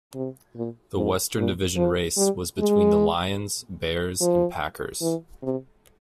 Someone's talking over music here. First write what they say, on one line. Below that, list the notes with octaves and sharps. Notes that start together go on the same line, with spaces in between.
The Western Division race was between the Lions, Bears and Packers.
C3
A#2
G#2
A#2
F3
G3
G#3
F3
E3
C3